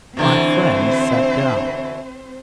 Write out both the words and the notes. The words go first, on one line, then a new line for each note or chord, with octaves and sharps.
My friend sat down.
B2 D3 E3 C4 C5